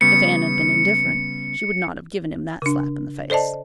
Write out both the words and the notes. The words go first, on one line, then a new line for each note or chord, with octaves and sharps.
If Anne had been indifferent she would not have given him that slap in the face.
C#3 G3 B3 C#7
C#3 D4
A4 C5 D5 D#5 A5